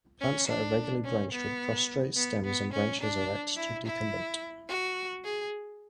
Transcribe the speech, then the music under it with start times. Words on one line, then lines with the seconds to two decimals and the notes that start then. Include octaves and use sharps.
Plants are irregularly branched with prostrate stems and branches erect to decumbent.
0.20 C#4
0.47 D4
1.04 C#4
1.32 B3
2.16 B3
2.45 B3
2.73 C#4
3.01 D4
3.57 E4
3.85 E4
4.68 F#4
5.25 G#4